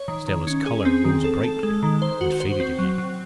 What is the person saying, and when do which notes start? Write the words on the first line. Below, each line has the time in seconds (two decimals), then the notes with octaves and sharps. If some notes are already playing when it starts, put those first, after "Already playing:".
Stella's color rose brightly, and faded again.
Already playing: C#5
0.08 D#3
0.28 D#3
0.47 C#4
0.66 G#4
0.85 C4
1.05 D#3
1.24 A4
1.43 A4
1.63 G#3
1.83 D#3
2.02 C5
2.21 F#4
2.40 C5
2.60 C4
2.79 F#3
2.98 F#3